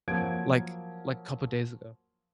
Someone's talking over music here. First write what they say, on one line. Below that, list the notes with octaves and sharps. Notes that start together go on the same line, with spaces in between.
like like, couple days ago.
F3 F#3 A#3 G#6 D7